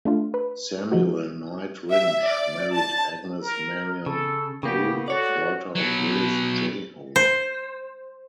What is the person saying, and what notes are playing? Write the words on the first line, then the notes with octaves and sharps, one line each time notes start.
Samuel Knight Rindge married Agnes Marion Hole, daughter of Willits J. Hole.
A3 D4 F4
B4 B5
F3 G#3 D#4 F#4
E5
D5
A5
A#4
C#3 A4
C#3 A#3 B3 G4
F#4 A4 C#5 D5
B2 F#3
C5